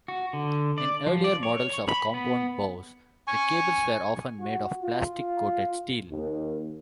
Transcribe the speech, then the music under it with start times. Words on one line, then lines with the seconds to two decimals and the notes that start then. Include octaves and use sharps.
In earlier models of compound bows, the cables were often made of plastic-coated steel.
0.08 F#4
0.33 D3
0.78 D5
1.07 F3
1.24 D5
1.43 C#5
1.89 B5
2.14 B3
3.28 G#5 C#6
4.39 F#4
4.82 F4
6.09 D#2